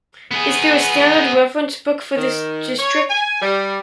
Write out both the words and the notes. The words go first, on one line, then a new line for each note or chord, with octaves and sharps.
Is there a standard reference book for this district?
B3 G#4
D#3
C#5
G#5
G3